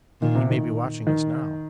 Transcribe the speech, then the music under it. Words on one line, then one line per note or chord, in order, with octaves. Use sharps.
"He may be watching us now."
A#2 D#3
C3
D#3
D#3